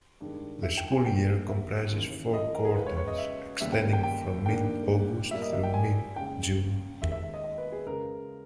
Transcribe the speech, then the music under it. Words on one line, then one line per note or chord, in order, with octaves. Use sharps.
The school year comprises four quarters, extending from mid-August through mid-June.
G2 D#3 G#3
E5
G5
G#5
G2 G3 A#3 G5
E5
D#2 C#3 E3
D#5
A#4
G#4
C#2 C#3 G#3 B4
C#5
C#5
D#5
E5
D#2 C#3 G3 A#3 E5
G5
G5
G5
G2 D#3 A#3 G5
A#2 G3 A#3 E5
D#5
E5
G5
G#5
C#2 C#3 G#3 G5
D#2 D#3 G#3 E5
E5
E5
D#5
D#5
B4
G#4
C#2 C#3 G#3 A#4